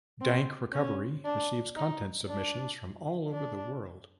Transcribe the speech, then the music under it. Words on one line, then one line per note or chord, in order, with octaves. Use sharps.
Dank Recovery receives content submissions from all over the world.
C4
C#4
D4
D#4
D4
D4